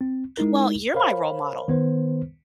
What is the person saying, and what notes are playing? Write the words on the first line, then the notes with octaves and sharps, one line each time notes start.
"Well, you're my role model"
C4
G#3 D#4 E4 A#4
A#4 C5 C#5 F5 B5
D#3 B3 B4 C5